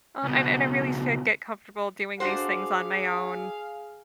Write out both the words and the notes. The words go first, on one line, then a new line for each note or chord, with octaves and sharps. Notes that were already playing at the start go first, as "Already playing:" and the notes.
Uh, and and I really should get comfortable doing these things on my own.
C#2 B2
D4 F#4 G#4 C5 F5